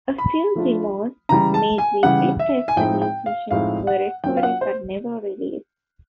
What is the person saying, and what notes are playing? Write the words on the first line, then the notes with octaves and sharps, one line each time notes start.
A few demos made with replacement musicians were recorded but never released.
B5
F3 A3 D4 F4
C#3 E3 G3 A#5
A5
G#5
C#3 E3 G3 F#5
E5
G#5
A2 F3 G#3 C4 D#4 G5
G5
F5
A2 F3 G#3 C4 D#4 F5
F#5
F#3 A#3 C#4 F4 G5
F5
F#5
C5